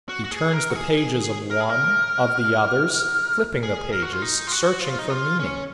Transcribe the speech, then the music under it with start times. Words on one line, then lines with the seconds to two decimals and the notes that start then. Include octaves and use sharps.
He turns the pages of one, of the others, flipping the pages, searching for meaning.
0.09 F#4
0.24 F#4
0.31 G#4
0.53 A#4
0.70 F#4
0.75 G#4
0.97 G#4
1.51 A#4
1.60 G#4
1.70 A#4
3.63 G#4
3.92 A#4
4.02 F#4
4.13 F4
4.22 D#4
4.47 F4
4.52 F#4
4.81 F4
4.99 D#4
5.10 F4
5.40 C#4